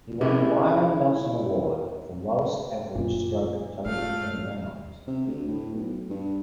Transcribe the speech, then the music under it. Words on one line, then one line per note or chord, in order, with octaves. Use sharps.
He won the Byron Nelson Award for lowest average stroke total per round.
C#4 E4 G4 G#4 A#4 B4
F#2 A#2 D3
G#2 A3 F5
C3
D2
A2
B1
G2